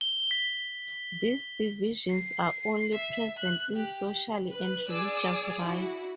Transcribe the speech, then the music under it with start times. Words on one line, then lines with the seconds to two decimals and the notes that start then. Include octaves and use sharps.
These divisions are only present in social and religious rites.
0.01 G7
0.31 B6
2.10 C7
2.94 E5
3.39 F#6
3.76 G4
4.49 B4 F#6
4.90 G#4 D5 G#5 D6 E6
5.61 E4 F#4